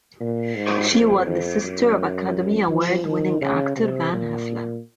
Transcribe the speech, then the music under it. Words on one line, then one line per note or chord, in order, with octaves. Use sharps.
She was the sister of Academy Award-winning actor Van Heflin.
A#2
G#2
F2
F2
F#2
F3
D#3
C#3
C3
A#2